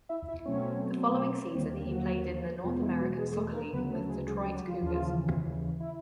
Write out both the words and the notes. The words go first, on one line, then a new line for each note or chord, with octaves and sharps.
The following season he played in the North American Soccer League with Detroit Cougars.
E4 E5
E4 E5
B2 F#3 A3 C4 C#4 C#5
C#5
D#2 D3 G3 A#3 C4 C5
G3 G4
F#3 F#4
E2 B2 F3 G#3 F4
E3 E4
F#3 F#4
G#3 G#4
G#4
A3 A4
A#3 A#4
D2 C#3 F#3 B3 B4
A3 A4
G#3 G#4
G#3 G#4
G3 G4
F#3 F#4
F3 F4
D#2 C#3 E3 F3 F4
E4